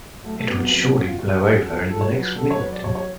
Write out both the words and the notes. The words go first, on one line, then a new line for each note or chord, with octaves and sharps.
It would surely blow over in the next wind!
F#3 A3
A3
F#3 B3
B3
F#3 B3
B3
F#3 C#4
F4
F#3 F#4
F#3 G#4
F3 A4
F3 A4
C#5
F#3 B4
F#3 A4
C#5
F#3 B4
D5
F#3 C#5
C#5